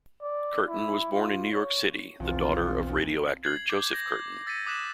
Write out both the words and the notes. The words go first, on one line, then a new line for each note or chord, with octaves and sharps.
Curtin was born in New York City, the daughter of radio actor Joseph Curtin.
D5
E4
F4
C#5
F1 B1 E2 C4 F4
G#6 C7 F#7
D6 G6
G6 A#6
E6 A6 B6 C#7 D#7
D6 D#6 F#6 B6 E7 F#7